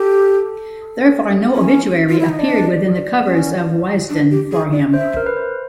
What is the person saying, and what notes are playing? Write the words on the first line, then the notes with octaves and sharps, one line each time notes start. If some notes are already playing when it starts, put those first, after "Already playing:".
Therefore, no obituary appeared within the covers of Wisden for him.
Already playing: G4 A4
C#4
F4
E4
D#4 D#5
D4 D5
C#4
D4
G4
G#4
D5
C5 E5
A#4
B4
C5